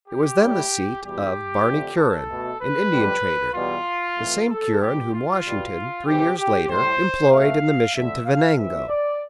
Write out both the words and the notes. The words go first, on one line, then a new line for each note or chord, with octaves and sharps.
It was then the seat of Barney Curran, an Indian trader--the same Curran whom Washington, three years later, employed in the mission to Venango.
G4
A2 G3
E2 B2 G3 G4
F2 D3 A3
A4
B2 A3
B4
F2 D3 G3
E2 B2 G3 F4
F2 E3 A3
A4
B2 G3 G4
F4
B2 G3
E2 C3 E3 G3 G4
G4
A2 G3 C5
B2 A3 F5
F2 D3 A3 E5
F5
F2 C3 E3 E5
D5